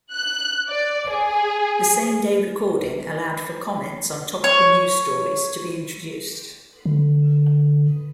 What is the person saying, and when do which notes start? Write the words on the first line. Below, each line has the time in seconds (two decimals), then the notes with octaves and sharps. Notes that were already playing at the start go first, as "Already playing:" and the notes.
The same-day recording allowed for comments on topical news stories to be introduced.
0.13 F#6
0.68 D5
1.12 G#4
4.44 C#5
6.86 D3